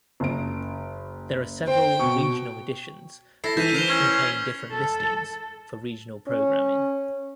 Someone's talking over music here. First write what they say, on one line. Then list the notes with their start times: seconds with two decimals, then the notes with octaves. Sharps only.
There are several regional editions, which each contain different listings for regional programming.
0.20 F#1 D7
1.67 C5 G5
1.99 B2 C#6
3.44 E4 A4 A#6 C7
3.57 E3 E5 G6 B6 D#7
3.74 A#4 C5 C7 F7 G7
3.89 C#4 E6 G#6 A#6
4.71 A4
6.28 C#4